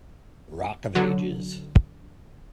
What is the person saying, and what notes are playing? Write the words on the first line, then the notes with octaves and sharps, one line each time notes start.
Rock of ages.
D3 F#3